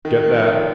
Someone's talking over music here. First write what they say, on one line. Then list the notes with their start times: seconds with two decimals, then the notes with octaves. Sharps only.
Get that?
0.05 D#3
0.24 D#3
0.29 F3
0.42 D#3
0.53 D3